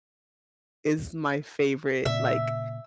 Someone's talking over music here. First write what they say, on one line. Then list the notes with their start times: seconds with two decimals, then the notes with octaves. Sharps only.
is my favorite, like,
2.05 A#2 C#3 E5